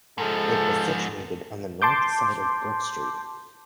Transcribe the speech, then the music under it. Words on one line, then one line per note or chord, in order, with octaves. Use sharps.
It was situated on the north side of Brook Street.
G#2 F3 G#3 A4
A5 C6 D6 G6